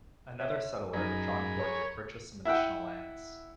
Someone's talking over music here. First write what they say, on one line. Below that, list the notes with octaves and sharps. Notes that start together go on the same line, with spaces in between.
Another settler, John Horton, purchased some additional lands.
C#5 E5
F#2 D#4 G#4 A#4 B5
C#5
E4 E5 F#5 G5